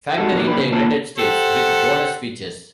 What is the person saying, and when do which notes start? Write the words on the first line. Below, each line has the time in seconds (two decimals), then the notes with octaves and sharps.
Factory in the United States, with bonus features.
0.18 G3 G#3 D#4 F#4 A4
0.32 A#2 D3 D#3 F#3 D4
0.47 G3 A#3 G4 B4
0.60 C#3
0.72 D#2 A#3 F4 C#5 A5
1.17 G4 A4 C5 F#5